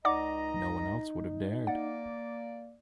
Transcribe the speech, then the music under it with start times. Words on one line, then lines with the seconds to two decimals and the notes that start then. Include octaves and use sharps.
No one else would have dared.
0.05 C#2 D#4 D5 D#5 F#5 A#5 D6
1.67 A#3 D5 F#5